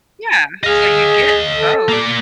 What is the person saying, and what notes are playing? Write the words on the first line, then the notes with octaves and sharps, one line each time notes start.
Yeah, so, you'd get both
G#4 D#5 F5
A4
A#3 D5